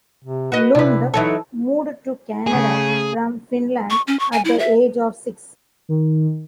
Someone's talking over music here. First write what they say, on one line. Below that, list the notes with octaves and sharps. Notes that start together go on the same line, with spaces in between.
Lund moved to Canada from Finland at the age of six.
C3
F#4 B4 D#5
C3 D4 E4 B4
E3 F#3 D#4 A4 C#5
C#3 A3 G#4
C#6
C#4
C#6
G#5
E4
E5
D#3